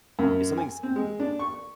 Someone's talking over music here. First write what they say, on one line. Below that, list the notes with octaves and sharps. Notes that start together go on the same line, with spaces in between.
If something's
F#2
G#5
C4
G#3
D4
C#6